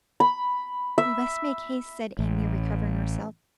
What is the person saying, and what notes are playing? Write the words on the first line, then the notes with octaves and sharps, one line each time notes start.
'We must make haste,' said Amy, recovering herself.
B5
E5
A1